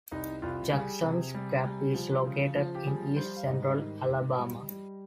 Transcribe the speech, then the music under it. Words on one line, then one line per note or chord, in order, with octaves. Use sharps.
Jackson's Gap is located in east- central Alabama.
C2 D#4
C2 F4
G3 G#4
C3
G3
G3
F3
C#3
F3
G4
G3 G#4
G3 C5
F5
G#2 D#5
D#3
G#2
G3
G3